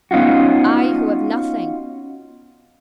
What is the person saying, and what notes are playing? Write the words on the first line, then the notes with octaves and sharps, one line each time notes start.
I, who have nothing!
B3 C#4 D#4 F4 F#4